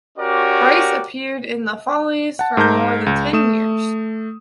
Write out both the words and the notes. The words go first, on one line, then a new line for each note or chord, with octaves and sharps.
Brice appeared in the Follies for more than ten years.
C#4 F#4 G4 A#4 D5
F#5 A5
G#2 A#4 A5 A#5 G6
C#2
A3 D#6 E7